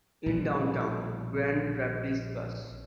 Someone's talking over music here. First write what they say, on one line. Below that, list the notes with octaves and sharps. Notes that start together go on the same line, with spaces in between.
In downtown Grand Rapids, Bus.
A#1 B2 G3